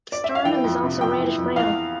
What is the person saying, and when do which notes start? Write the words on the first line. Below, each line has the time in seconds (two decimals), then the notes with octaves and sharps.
The sternum is also reddish brown.
0.12 D5
0.24 E5
0.35 F5
0.45 E3 G5
0.64 F2
0.83 C3
1.01 F2 G5
1.20 E3
1.39 F2
1.56 E2 F5